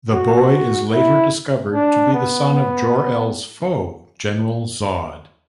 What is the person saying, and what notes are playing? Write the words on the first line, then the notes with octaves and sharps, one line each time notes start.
The boy is later discovered to be the son of Jor-El's foe, General Zod.
F#4
E4
D4
B3
B3